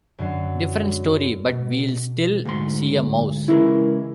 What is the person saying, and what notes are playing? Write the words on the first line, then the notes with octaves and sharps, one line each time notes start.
Different story, but we'll still see a mouse.
F#2 D3 F#3 C7
B2
D2 G#2 C6
C#3 E3 G#3 E4 A#4